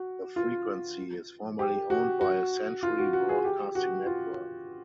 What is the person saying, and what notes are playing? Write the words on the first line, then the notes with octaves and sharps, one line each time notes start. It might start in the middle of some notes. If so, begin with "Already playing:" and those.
The frequency is formerly owned by Century Broadcasting Network.
Already playing: F#4
F4
G4
F#4
F#4
F4
F#4
F#4
G#4
G4
F#4
F4